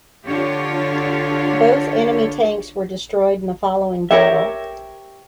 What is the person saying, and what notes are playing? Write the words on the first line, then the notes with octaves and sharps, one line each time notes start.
Both enemy tanks were destroyed in the following battle.
D3 D4 F4 G4 C#5
G4 A#4 C5 C#5 E5